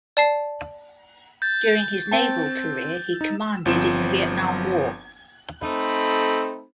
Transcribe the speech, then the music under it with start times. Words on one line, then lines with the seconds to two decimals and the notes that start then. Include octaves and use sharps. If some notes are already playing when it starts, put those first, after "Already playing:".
During his naval career he commanded in the Vietnam War.
0.17 D5 A5 C7
1.42 G6 A6
2.11 C4 G5 A5
3.21 D#4
3.65 G1 F3 C4 E7
5.62 A3 C4 D#4 A4 B5